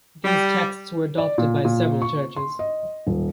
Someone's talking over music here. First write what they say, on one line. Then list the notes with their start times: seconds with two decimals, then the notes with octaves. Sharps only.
These texts were adopted by several churches.
0.25 G3
1.18 D5
1.38 A#2
1.65 A#2
2.02 C#6
2.36 C6
2.59 D#5
3.07 D#1